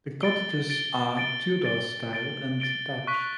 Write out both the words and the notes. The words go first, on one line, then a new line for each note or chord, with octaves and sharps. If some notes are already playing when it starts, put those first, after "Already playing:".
The cottages are Tudor style and thatched.
A6 D7 G7
A6 D7 G7
A6 D7 G7
A6 D7 G7
A6 D7 G7
A6 D7 G7
C#6 F#6 B6